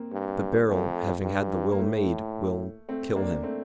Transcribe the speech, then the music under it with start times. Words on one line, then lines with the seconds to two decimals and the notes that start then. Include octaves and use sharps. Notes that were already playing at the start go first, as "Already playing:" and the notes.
But Beryl, having had the will made, will--kill him.
Already playing: A#3 C4
0.12 G2
0.68 F2 A3
1.23 G2
1.71 A#3
1.78 A2 A3
2.89 A3 C4
3.16 A#3 D4
3.43 A3 C4